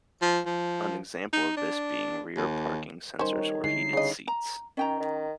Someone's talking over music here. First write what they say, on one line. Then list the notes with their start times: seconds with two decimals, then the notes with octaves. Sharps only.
An example of this being rear parking sensors or heated seats.
0.22 F3
0.46 F3
1.33 D#4
1.57 D4
2.37 D#2
3.19 D#3 G3 C#4 D#4 C5
3.37 C#5
3.64 D3 G#3 D#4 E4 C7
3.93 C#3 D4 D#5
4.27 A#5
4.77 D#3 C#4 G5 A#5
5.00 D#3